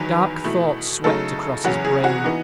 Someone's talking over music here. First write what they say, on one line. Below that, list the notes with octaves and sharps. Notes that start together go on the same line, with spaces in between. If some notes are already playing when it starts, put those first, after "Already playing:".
Dark thoughts swept across his brain.
Already playing: E2 D#3 F#3 B4
B2 A3 E4
C#3 F#3 A3 D#4 A4
E2 C#3 F#3 C#4 F#4
G#4
F#4
E3 B3 D#4